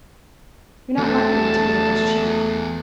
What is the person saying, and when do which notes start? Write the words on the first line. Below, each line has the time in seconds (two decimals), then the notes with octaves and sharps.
You're not likely to get it as cheap.'
0.97 E2 A3 F#4 A5